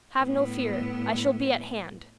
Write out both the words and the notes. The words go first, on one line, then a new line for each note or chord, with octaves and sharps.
Have no fear; I shall be at hand.'
A2 B3